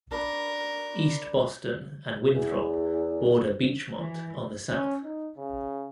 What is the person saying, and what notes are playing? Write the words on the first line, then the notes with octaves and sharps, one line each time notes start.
East Boston and Winthrop border Beachmont on the South.
D4 A#4 B4
E2
E3
C#4
D#4
C#3